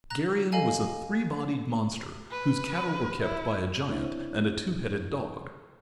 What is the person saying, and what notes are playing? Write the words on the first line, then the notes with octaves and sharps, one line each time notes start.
Geryon was a three-bodied monster whose cattle were kept by a giant and a two-headed dog!
A#5 F#6 A#6
A4 D#5 F5 G#5 A#5
B4
E4
C4 D4 E4 C5 C#5